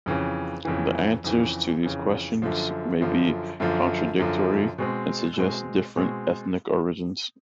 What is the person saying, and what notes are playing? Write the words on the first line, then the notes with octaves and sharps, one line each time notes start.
The answers to these questions may be contradictory and suggest different ethnic origins.
F2 C#3 E3
F2 C#3 E3
F2 C#3 E3
F2 C#3 E3
F#2 D3 F3
F#2 D3 F3
F#2 D3 F3
F#2 D3 F3
B2 G#3 C4
B2 G#3 C4
B2 G#3 C4